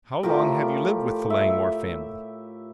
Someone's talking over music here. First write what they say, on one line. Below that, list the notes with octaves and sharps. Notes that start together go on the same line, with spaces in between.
"How long have you lived with the Langmore family?"
A2 F3 G4 A#4
E5